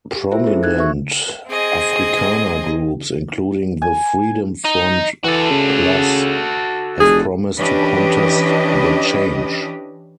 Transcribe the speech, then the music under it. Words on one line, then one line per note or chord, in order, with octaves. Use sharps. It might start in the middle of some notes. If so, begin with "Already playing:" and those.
Prominent Afrikaner groups, including the Freedom Front Plus, have promised to contest the change.
G4
E4 F4 A#4 C5 E5
C4 G#4 A4 C5
D#4 F#6 G#6
F#4 E5 C#6
C4 G#4 D#5 G#5
G#5
D#4
E3 F#4 A4
C#3
F1 G#4
E3 C#4 D4 G4 B4 D#5